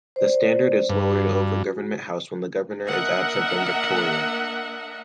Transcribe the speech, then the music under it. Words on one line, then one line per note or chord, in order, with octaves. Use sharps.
The Standard is lowered over Government House when the governor is absent from Victoria.
C5 D5
G2 B4
F#4
A#3 D4 A#4 D#5 E5 F#5